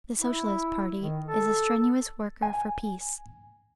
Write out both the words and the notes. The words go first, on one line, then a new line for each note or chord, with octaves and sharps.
The Socialist Party is a strenuous worker for peace.
E4
D#3
A4
G#5